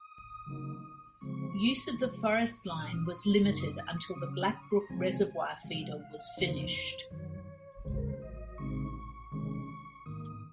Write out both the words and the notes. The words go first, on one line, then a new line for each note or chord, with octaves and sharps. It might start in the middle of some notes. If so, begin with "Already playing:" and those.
Use of the Forest Line was limited until the Blackbrook Reservoir feeder was finished.
Already playing: D#6
C#3 F#3 A#3 D#4
C#3 F3 G#3 C4 C#6
C3 F3 G#3
A#2 F#3 C#4 D#6
F6
D#6
C6
F#2 C#3 F#3 A#3 D#4 C#6
D#6
D#6
C#6
C#3 F#3 C#4 D#6
F6
D#6
C#6
C6
A#5
C3 F3 G#3 C4 G#5
C3 F3 G#3 F5
F#5
F5
F5
F2 C#3 F3 A#3 D#4 C5
F#2 D#3 F#3 C#5
D#2 C#3 G#3 C5
A#4
C5
D#5
C#3 G#3 C4 D#4 C#6
C3 D#3 G#3 C#4 C#6
G#2 D#3 A#3 D#6
D#6